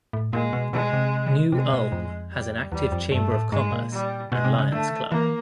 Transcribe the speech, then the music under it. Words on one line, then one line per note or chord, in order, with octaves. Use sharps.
New Ulm has an active Chamber of Commerce and Lions Club.
A2
A#2 G#3
B2
B2 G#3
C3
C3 G#3
B2
F2
G3
E2 G3
F2
G2 A3
A2
G#2 G#3
A#2
G3
B2 G#3
C3
C#3
D3 A3
E3 A#3